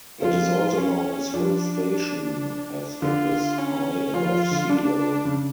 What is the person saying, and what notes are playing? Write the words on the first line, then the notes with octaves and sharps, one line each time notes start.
It is also known as hill station as it is high above sea level.
F3 F4
C#4
F3 D4
D3 F4
C#4
F3 F4
F3
D3
D4
C#3